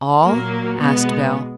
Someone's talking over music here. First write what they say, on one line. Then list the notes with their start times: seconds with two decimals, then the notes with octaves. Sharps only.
"All?" asked Bell.
0.25 A#2 F#3 A#3
0.80 B2 G#3 B3